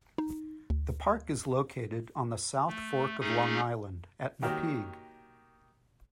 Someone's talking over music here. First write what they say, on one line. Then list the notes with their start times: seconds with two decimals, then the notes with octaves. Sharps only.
The park is located on the South Fork of Long Island at Napeague.
0.18 D#4
0.70 D2
2.67 A3
3.20 A3 C#4 D#4 G#4
4.43 D#3 A#3 F#4 G4 A#4 C#5